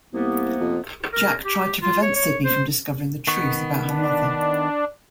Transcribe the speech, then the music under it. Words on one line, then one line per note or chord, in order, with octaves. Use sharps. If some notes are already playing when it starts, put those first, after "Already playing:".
Jack tried to prevent Sydney from discovering the truth about her mother.
C2 C3 A#3 B3
F2
A#4
G4
F4
C#5
C#5
C5
D#3 B3 C#6
D4